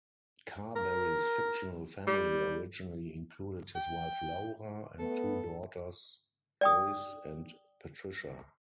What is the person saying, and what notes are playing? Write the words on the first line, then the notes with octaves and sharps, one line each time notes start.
Carberry's fictional family originally included his wife Laura, and two daughters, Lois and Patricia.
A#4
G3
G5
A3 B3 A4
D5 G5 D#6